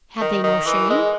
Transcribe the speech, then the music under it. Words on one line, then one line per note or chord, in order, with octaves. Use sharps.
Had they no shame?
D#3
D#3
E3
G#3